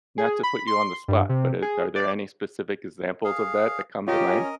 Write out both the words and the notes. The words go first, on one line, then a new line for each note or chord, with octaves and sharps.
not to put you on the spot, but it are there any specific examples of that that come to mind?
G#4
B5
C6
G2
C3
G#4
D5
G#4 F5
C#4 F4 G4 A#4 D#5